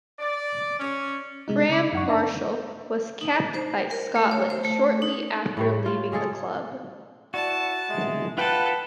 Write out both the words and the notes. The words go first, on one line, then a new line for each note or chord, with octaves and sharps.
Graham Marshall was capped by Scotland shortly after leaving the club.
D5
C#4
C3 G#3 D#4
C#3 D#4 D6
F#2 F#5 C#6
D4 E5 A5 A#5
D#4
C5
A#4
A3
C#5
C5
A3
D#4
A2 G3 C#5
F4
C#3 G#3 G#4 A4
E4 F#4 D5 A5
G#3 E5
F4 A4 B4 F#5 G5 A5